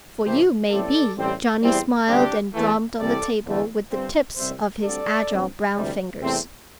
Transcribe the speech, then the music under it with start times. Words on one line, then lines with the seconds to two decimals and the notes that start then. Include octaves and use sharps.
"For you, may-bee!" Johnny smiled and drummed on the table with the tips of his agile brown fingers.
0.25 C2 C3 E3 A3 C4 G4 C5
0.70 A1 A2 A3 C4 A4 D5
1.17 A1 A2 G3 C4
1.62 E2 E3 G3 C4
2.08 D2 C3 G3 C4 D4 G4
2.54 E2 E3 A3
2.99 C2 C3 E3 G3 C4 A4 D5
3.45 E2 D3 A3
3.91 G1 G2 G3 C4
4.37 C2 C3 G3 C4 C5 E5
4.83 D2 D3 G3 C4 A4 D5
5.29 A1 G2 G3 C4
5.75 D2 C3 E3 G3
6.20 E2 C3 A3 C4